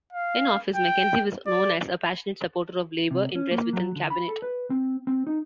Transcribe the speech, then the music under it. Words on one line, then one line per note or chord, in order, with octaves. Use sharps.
In office, Mackenzie was known as a passionate supporter of labour interests within cabinet.
F5
G5
D5
C3
C#4
A#3
F#3
D3
B5
A4
B4
C4
C4
D#4